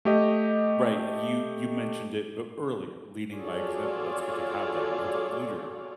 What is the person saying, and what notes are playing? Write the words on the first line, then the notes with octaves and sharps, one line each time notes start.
Right, you you mentioned it but earlier, leading by example, that's what you have there, you have a leader,
A3 G4 D#5
F4 F#4 G#4 A4 C#5 D5